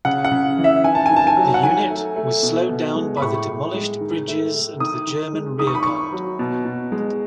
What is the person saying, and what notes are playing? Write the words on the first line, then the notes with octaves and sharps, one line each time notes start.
The unit was slowed down by the demolished bridges and the German rear guard.
C#3 F#5
F#5
C#3
E3
E5
D#3 G#5
A5
G#5
D#3
A5
G#5
F#3
F#5
D#3 G#5
A3
A3
B2
B2
G#3
B5
A2 C#6
A2
G#3
D#3
A3
A3
D#3 D#6
D#3
G#3
D#3 D#6
C#6
B5
D#3 C#6
F#3
B2
B2
G#3